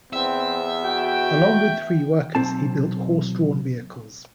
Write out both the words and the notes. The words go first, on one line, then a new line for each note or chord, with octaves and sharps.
Along with three workers, he built horse-drawn vehicles.
E2 C4 E5
F#4 G5
B1 C4 A5